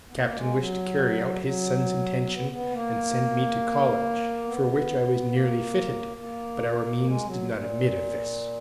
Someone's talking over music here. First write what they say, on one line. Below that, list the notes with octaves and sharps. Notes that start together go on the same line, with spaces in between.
The Captain wished to carry out his son's intention and send me to college, for which I was nearly fitted; but our means did not admit of this.
B3
A#3
G#3
F#3
F#3
B3
B3
A#3
B3
A#3
A#3
G#3
F#3
A#2